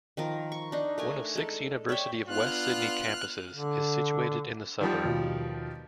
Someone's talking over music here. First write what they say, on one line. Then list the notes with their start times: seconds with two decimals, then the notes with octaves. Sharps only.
One of six University of Western Sydney campuses is situated in the suburb.
0.17 D#3 F3 A#4
0.52 C#6
0.72 D4 D#4
0.98 A3 A#4 G#5
1.35 G#3 A4
1.89 C#5 D5 E5 G5
2.28 B3 D4 F4 F6 F#6
3.54 D3
4.81 D#3 F3 G3 G4 F#5 D#6
5.04 D#2 B2 F4